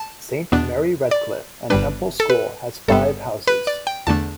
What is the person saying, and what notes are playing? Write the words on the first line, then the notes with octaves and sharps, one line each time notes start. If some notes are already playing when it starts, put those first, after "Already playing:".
Saint Mary Redcliffe and Temple School has five houses.
Already playing: A5
E2 B2 B3 D4
D5
G1 G2 G3 D4 B4
A4
B4
G1 G2 G3 B3 A4
B4
D5
G5
E2 D3 A3 D4 A5